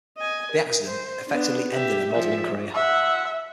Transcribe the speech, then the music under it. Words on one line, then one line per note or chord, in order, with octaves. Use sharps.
The accident effectively ended her modeling career.
D#5 G#5
A#4
C5
B3 D4
G4 E5
F3 E5
F4 E5 F#5